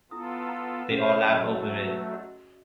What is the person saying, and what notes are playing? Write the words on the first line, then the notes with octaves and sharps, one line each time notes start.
They all laugh over it.
B3 E4 F4 A4 D#6
A#5
C#4 G#4 C5 F5
F#3 A3 C6
F#4 D#5